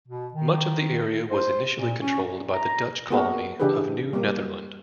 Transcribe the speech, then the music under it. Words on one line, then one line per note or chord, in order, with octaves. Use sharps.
Much of the area was initially controlled by the Dutch colony of New Netherland.
B2
D#3
C5
A#2
C#4
A#2
A#5
A#3 B3 F#4 G#4 A#4
C#3 E3 D4 G4 G#4 B4
G3 A#3